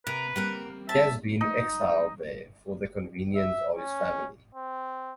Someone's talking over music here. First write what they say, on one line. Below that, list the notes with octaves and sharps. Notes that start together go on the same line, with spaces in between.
He has been exiled there for the convenience of his family.
C3 A#4 B4
G3 A#3 C4 A#4 F#5
E5 A5
D#4
E5
C#4
C4